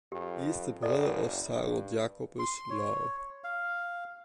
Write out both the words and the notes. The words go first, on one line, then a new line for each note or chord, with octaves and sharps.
He is the brother of Sarel Jacobus Louw.
F2 G4
F#1 A4 D5 D#5
G2
C6
C#5
F5